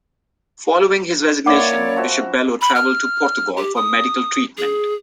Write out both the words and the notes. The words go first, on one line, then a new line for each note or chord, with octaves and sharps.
Following his resignation Bishop Belo travelled to Portugal for medical treatment.
A#3 C#4 E4 B4 C#5 D5 F#5 D6
F3 F#4 E5
B5
F6
G4
D#6
G#4